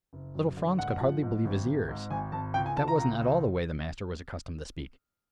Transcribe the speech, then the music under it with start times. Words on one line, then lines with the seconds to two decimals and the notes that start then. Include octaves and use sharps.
Little Franz could hardly believe his ears; that wasn't at all the way the master was accustomed to speak.
0.13 F#1
0.35 F#2
0.57 D3
0.79 G#2 F#5
1.01 F3
1.23 G#2
1.45 G#1
1.67 G#1
1.88 G#2
2.10 G#1 G#5
2.32 G#1 A5
2.54 C#2 G5
2.66 G#5
2.76 C#2 A5
2.88 A#5
2.98 C#2 A#5
3.20 C#2